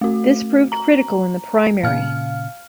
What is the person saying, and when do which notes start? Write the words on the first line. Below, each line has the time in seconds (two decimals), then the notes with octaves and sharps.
This proved critical in the primary.
0.01 A3 F#4
0.72 A#5
1.83 A#2 C#3 F5 F6